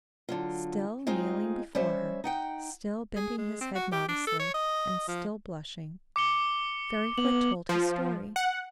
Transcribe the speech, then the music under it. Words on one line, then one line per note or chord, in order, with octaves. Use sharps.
Still kneeling before her, still bending his head modestly, and still blushing, Fairyfoot told his story.
D3 F#3 F4
G#3 C4 D#4 F4 G#4
G3 C#4 C5 C#5 E5
D#4 F#5 G5
G#4
G#3
C4
F#4
G4
D4
A4
C#5
D#5
F3
D6 C#7 G7
B3 F#7
F3
F#5